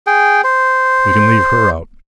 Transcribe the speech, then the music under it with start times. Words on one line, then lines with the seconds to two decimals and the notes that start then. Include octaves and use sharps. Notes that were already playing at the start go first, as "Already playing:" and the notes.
We can leave her out.
0.07 G#4 G5
0.44 C5